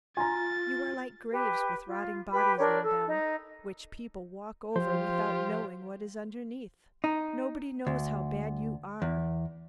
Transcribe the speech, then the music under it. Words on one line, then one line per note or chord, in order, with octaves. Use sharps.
You are like graves with rotting bodies in them, which people walk over without knowing what is underneath. Nobody knows how bad you are.
F4 G#5 A#5 A6
G4 B4
F4
G4 B4 B5
D4 G4 A#4 C#5
A4
D#4
F3 F4 G4 C5
D#4
D2
E2